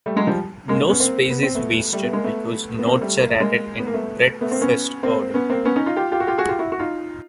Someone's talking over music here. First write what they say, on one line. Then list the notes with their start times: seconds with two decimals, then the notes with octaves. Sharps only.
No space is wasted because nodes are added in breadth-first order.
0.06 G3 A3
0.16 F#3 G#3
0.27 F3 G3
0.68 G#3 A#3
0.89 B3 C#4
1.00 A#3 C4
1.30 B3
1.43 C4
1.55 A3 B3
1.93 G3 A3
2.03 A3 B3
2.13 G#3 A#3
2.24 A3 B3
2.79 B3
2.86 A#3 C4
3.01 G3 A3
3.17 A#3
3.29 A3
3.40 G#3 A#3
3.79 B3
3.87 A#3
3.94 A3 B3
4.41 A3 B3
4.51 A#3 C4
4.62 B3 C#4
5.03 A#3 C4
5.34 B3 C#4
5.50 A#3 C4
5.65 B3 C#4
5.76 C#4 D#4
5.86 D#4 F4
5.96 F4 G4
6.12 F4 G4
6.20 F#4
6.27 F4 G4
6.38 F#4 G#4
6.48 F4 G4
6.59 E4 F#4
6.72 F#4
6.79 D#4 F4